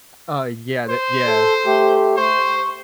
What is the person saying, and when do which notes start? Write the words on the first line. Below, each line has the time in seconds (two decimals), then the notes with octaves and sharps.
U uh, yeah that yeah,
0.89 C5
1.27 A4
1.66 A3 G4
2.17 C5 C#6